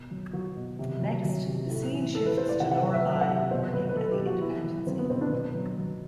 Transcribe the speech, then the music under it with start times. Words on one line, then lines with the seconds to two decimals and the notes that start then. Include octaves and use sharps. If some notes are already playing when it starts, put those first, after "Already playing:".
Next, the scene shifts to Lorelai working at the Independence Inn.
Already playing: B2
0.11 F#3
0.33 F#3 F#4
0.56 B2
0.79 C3
1.02 F#3
1.24 F#3
1.47 C3
1.70 A2
1.93 E3
2.15 E3 A4
2.26 B4
2.37 A2 C5
2.49 D5
2.60 C3 F#5
2.71 F#5
2.83 F#3 F#5
2.94 E5
3.05 F#3
3.21 F#5
3.28 C3
3.36 E5
3.51 B2 C5
3.73 F#3 B4
3.89 B4
3.96 F#3 A4
4.11 G4
4.19 B2
4.26 F#4
4.41 B2 E4
4.64 F#3
4.87 F#3 C4
4.98 B3
5.10 B2 C4
5.21 D4
5.32 B2 B4
5.55 F#3
5.78 F#3